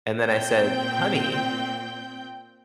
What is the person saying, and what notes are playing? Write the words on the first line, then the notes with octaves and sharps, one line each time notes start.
and then I said, "Honey,
A#2 C4 G5 G6